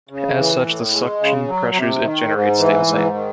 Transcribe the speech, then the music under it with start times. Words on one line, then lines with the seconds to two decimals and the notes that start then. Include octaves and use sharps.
As such, the suction pressures it generates stay the same.
0.09 C#3
0.37 E3
0.65 A2
0.92 G#3
1.20 C#3
1.48 F#3
1.76 C3
2.03 D#3
2.31 G#2
2.58 E3
2.86 G#2
3.14 D#3